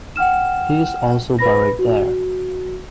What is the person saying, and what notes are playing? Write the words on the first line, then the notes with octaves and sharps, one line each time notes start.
He is also buried there.
F#5 G5 F6 E7
B4 B5 A#6
F#4